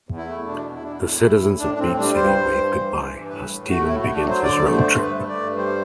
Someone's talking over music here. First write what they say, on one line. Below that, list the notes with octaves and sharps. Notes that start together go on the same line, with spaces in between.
The citizens of Beach City wave goodbye as Steven begins his road trip.
E2
E4
A3
B2 D4
E2
E4
E2 D4
E4
A2 E4
A2
A2
A2 D4
D4
A2 C4
G3 D4
G2 C5
G2
G2
E3
E3
G2
A2 B4
A2
A3 F#4
A2 E4
A3 F#4
D4
F#3
C5
D3 D5
A3
C5
G2
C5
A3 B4
A3
D5
G2
G3 C5